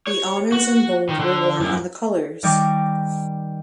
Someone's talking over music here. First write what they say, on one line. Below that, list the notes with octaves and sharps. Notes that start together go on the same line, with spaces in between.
The honours in bold were worn on the Colours.
C#5
F#4
D#3
D3
F#2
D#3 G3 G4 D#5 C#6 D6